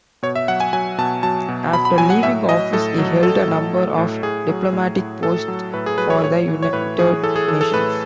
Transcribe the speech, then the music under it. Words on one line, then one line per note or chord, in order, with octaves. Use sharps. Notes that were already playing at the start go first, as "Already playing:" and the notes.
After leaving office, he held a number of diplomatic posts for the United Nations.
B2 C#5
E5
F#3 F#5
G#5
F#3 G#5
B2 A5
F#3 A5
B2
B2 B5
B5
F#3 G#5
F#5
A2 E5
F#3 D#5
A2 A4
F#3
F#3 A4
A2
A2
A2
A2 G#4
F#3
A2
A2
A2 A4
F#3
A2 B4
G#4
F#3 B4
C#5
A2 C#5
E3
C#5
A2 B4
E3 G#4
E3 A4
G#4
E3 A4
A4
A2 B4